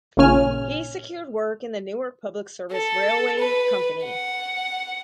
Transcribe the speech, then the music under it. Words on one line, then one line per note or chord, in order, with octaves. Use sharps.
He secured work in the Newark Public Service Railway Company.
A1 A#2 C#3 C#4 G#5 F6
A4
B4
F#5